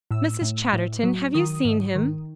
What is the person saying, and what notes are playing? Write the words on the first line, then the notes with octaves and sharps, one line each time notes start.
"Mrs. Chatterton, have you seen him?"
A2 E6
A2
A2
F#3
D#3 D#6
G#2
D#3